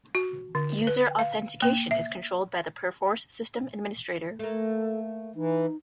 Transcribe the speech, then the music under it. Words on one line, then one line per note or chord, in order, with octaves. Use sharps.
User authentication is controlled by the Perforce system administrator.
F#4
D3
B4
F5
A#3
E5
A3 A#3 A4
E3 D#4